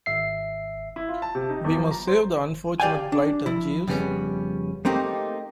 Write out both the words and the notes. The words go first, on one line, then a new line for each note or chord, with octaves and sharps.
We must save the unfortunate blighter, Jeeves.
G#1 E5 C7
E4
F4
A5
C3
D#4
E2
F3
A#5
C5
G4 D5 F5 G5 G#5
D4
F3 E4
F2 C#3 G3 B3 C#4
A3 A#3 C4 D#4 G4